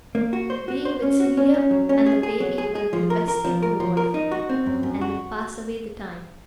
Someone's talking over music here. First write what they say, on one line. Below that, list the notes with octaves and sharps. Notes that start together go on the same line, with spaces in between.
Being with Celia and the baby will be the best thing in the world for her, and will pass away the time.
A#3
F#4
C5
F#4
C5
C#4
F#4
C#4
C#4
F#3
C#4
G#4
G#4
F#3
G#4
G#4
F3
A#4
A#4
F3
A#4
F3
A#4
D#4
F#4
C4
F#2
F#2
F#4